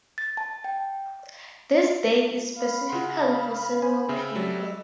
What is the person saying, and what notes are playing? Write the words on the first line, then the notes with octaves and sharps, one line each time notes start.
This day is specifically for single people.
A6
A5
G5
F5 B5
C#3 F#5 C6
F5
C5 G#5
C#3 C4 E5
F#3 G3 A4